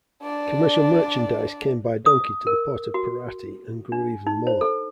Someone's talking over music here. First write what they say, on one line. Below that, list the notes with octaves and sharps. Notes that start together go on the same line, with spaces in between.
Commercial merchandise came by donkey to the port of Parati and grew even more.
D4 D5
D#6
A#4
F#4
D4
D#4
C5
A4